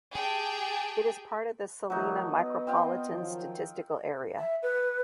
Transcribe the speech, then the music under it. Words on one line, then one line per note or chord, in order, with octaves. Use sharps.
It is part of the Salina Micropolitan Statistical Area.
G4 G#4 G5 A5
D#3 F3 F#3 A3 D#4
B3 D#5
C4 F4 G5
D#3 F3 F#3
E5
B4